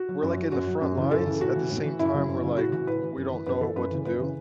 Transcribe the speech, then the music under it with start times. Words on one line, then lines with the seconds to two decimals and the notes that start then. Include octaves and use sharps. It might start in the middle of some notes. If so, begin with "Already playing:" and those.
we're like in the front lines at the same time, we're, like we don't know what to do,
Already playing: F#4
0.09 F#3
0.22 F#2
0.37 F#3
0.52 F#2 F#4
0.67 F#3
0.81 F#2
0.97 C#3 E3
1.11 F#2 A4
1.26 C#3 E3
1.41 A2 F#4
1.56 E3
1.70 A2
1.84 E3
1.99 F#2 E4
2.14 C#3 F#3
2.28 F#2
2.43 C#3 F#3
2.58 A2 F#4
2.72 E3 F#4
2.87 A2 B4
3.02 E3
3.17 F#2
3.32 E3
3.46 F#2 B4
3.60 E3 A4
3.76 F#2 B4
3.91 C#3 E3
4.05 F#2 B4
4.19 C#3 E3